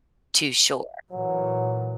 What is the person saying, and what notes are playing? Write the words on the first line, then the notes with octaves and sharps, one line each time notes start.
too sure,
A#2 E3 F#3